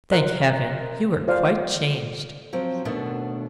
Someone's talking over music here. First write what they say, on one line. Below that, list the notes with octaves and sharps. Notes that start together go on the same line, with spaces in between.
'Thank heaven, you are quite changed.'
A#4 C5 D#5 F#6
F4 C5 D5 F5
F3 F#3 C4
D#2 B2 A3 B3 D4